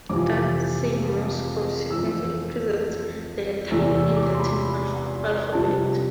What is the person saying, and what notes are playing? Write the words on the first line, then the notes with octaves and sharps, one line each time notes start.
That same Morse code sequence represents the letter U in the Latin alphabet.
F2 C3 E3 D6
F2 E3 E6
E2 C3 E3 E6
E6
D6
C6
B5
C2 C3 F3 A5